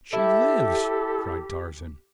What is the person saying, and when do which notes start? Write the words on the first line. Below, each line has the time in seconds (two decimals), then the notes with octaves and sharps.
"She lives!" cried Tarzan.
0.13 E4 G4 A4